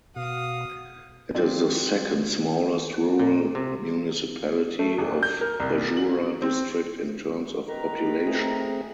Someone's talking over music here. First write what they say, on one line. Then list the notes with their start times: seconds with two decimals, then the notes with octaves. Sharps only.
It is the second smallest rural municipality of Bajura district in terms of population.
0.16 B2 F#4 F5 D#6
1.35 F#3 C4 F4 D5
3.19 A#2
3.55 C3
4.79 A3
4.98 D#1
5.23 G6
5.41 A#4
5.60 C2
5.97 F#7
6.42 C4
7.68 D#3 B4 A#5
8.27 A3 C4 G#4